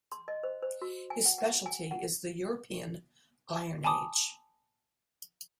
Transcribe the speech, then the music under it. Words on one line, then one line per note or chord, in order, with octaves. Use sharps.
His speciality is the European Iron Age.
C6
D#5
C5
C5
F#4
G#5
F#5
F#5
G#5
F#5
G#5 A5 B5 D6 D#6